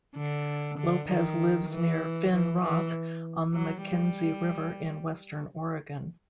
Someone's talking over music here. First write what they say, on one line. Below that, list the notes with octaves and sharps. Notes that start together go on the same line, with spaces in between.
Lopez lives near Finn Rock on the McKenzie River in western Oregon.
D3
D3
D#3
E3
E3
E3
F#3
G3